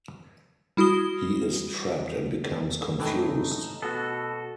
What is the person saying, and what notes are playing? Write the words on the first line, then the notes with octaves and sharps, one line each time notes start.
He is trapped and becomes confused.
G3 E4 F#4 D#6 G7
A2 E3 A3 D#4
B2 B3 F#4 A4